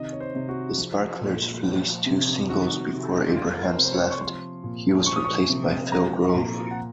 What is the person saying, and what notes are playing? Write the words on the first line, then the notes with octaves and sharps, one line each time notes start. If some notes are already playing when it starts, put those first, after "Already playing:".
The Sparklers released two singles before Abrahams left, he was replaced by Phil Grove.
Already playing: C3 D#3 D#5
C#5
C5
C3
F#4
F3
A#2
F3
C3
D#3 F#4
C3
F3 F4
A#4
C5
C3
C5
C#5
C#6
F3 C6
A#2
F3 C#6
D#6
C#6
C3
F3 A#5
A#2
F#5